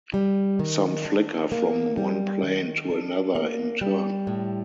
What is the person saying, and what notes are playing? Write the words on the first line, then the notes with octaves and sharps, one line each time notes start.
Some flicker from one plane to another in turn .
G3
D#3
D4
A#3
G3
D#3
D4
A#3
G3
A2